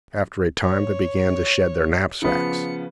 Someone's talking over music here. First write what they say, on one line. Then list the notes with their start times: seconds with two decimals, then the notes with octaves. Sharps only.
After a time they began to shed their knapsacks.
0.62 C#5
2.22 C#3 F3 B3 C#7